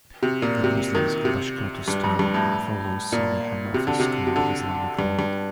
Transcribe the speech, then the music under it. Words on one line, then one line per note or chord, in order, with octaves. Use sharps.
The Muslims of Bashkortostan follow Sunni Hanafi school of Islamic law.
C3
A#2
C3
D#3
C3
G2
F2
G2
A2
A#2
C3
D3
C3
C3
D3
G2
G2